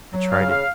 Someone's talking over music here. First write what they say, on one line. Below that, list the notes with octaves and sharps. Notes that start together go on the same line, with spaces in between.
I tried it.
F#3
F5
C#3
F5